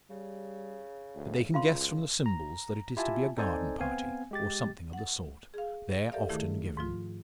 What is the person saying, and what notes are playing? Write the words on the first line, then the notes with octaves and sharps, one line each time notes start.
But they can guess from the symbols that it is to be a garden party, or something of the sort, there often given.
C#3 G3
D2
C#2 F4 F5 C6
A#5
E4 F4 G4 E5 G#5 A5
C4 D#4 A4 C5 D5 G#5
B3 C4 F5 G#5
G#3 G4 A6
F#5 A6
G#4 F5
G4 A4 A#4 D5 E5 F5
D#3 A3 E4 G#4
G#2 F3 F4